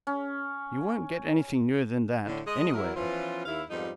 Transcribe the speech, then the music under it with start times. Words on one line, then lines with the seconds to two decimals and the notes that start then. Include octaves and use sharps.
You won't get anything newer than that anywhere.
0.07 C#4
2.26 A2 D3
2.47 G#3 D#5
2.73 F#3 E4 A#4
2.96 E3 F3 B3 C#4 F4
3.45 D#2 E4 F5
3.70 F2 G#2 F3 G3 B3 D#4